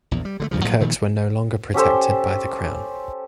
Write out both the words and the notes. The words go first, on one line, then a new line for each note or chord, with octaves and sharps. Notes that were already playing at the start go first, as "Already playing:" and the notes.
The Kirkes were no longer protected by the crown.
A#1 E2
G3
D3 G3 A3
E2 G2 C#3 F3
A2 F3 F#3 A#3
A#2 D#3 F3 A3
C#4 G4 A4 C5